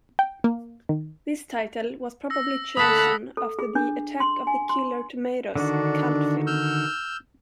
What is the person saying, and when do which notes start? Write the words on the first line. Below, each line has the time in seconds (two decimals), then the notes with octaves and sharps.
This title was probably chosen after the "Attack of the Killer Tomatoes" cult film.
0.19 G5
0.44 A#3
0.89 D#3
2.30 E6 A#6
2.77 D2 A3 A#3 F#5 A5 B5 D#6 B6
3.37 A4
3.59 G#4
3.75 D4
4.20 C6
4.47 G#5
4.69 C6
5.55 D3 D#3 D4 F#4
6.47 E6 F6 G6